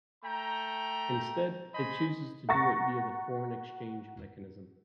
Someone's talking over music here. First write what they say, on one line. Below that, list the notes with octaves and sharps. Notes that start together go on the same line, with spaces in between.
Instead, it chooses to do it via the foreign exchange mechanism.
A3 G5 A#5
C5 D#5 G#5 B5
F#5 A#5 C#6 A6 A#6